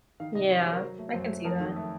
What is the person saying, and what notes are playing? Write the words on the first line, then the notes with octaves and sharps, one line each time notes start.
Yeah. I can see that.
D#3 F5
C3 D#5
F#3 C#5
C5
F#3
A#4
F#3
A3
F#2 C5
A3
F2 A#4
D#3 A4
A3